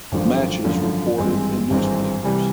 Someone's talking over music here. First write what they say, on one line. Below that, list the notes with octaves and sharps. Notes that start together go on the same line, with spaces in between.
Matches reported in newspapers.
G#1 F#2 D3 F3
G#1 F#2 D3 F3
G#1 G2 E3 G#3 C4
G#1 G2 E3 G#3 C4
C3 E3 G3